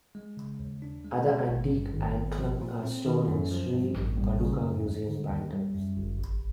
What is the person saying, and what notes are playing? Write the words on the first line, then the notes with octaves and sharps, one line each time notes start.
Other antique angklung are stored in the Sri Baduga Museum, Bandung.
G#3
C#3
D#2
D4
G#3
B2
G#1
G2
G#1
B3
F3
A#2
C4
D#3
F#2
F3
G2
A1
G3
C#3
F#2
D#2
D3
D#2
G3
F#2
G1
A1